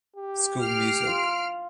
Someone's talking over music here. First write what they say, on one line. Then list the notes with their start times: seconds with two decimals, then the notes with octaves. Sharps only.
School music.
0.16 G4
0.62 F6 C7 D7
1.07 F4